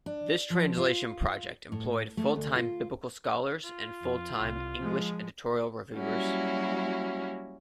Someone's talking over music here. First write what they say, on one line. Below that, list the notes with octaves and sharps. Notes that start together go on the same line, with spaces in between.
This translation project employed full-time biblical scholars and full-time English editorial reviewers.
D4
F3
F4
A2
A3
D2
F4
F4
F2
C2
F3 G#3
F#3 G3 A#3 C#4 E4 F#4